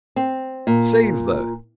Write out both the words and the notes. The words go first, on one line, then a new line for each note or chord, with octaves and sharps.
"Save the--!"
C4
A#2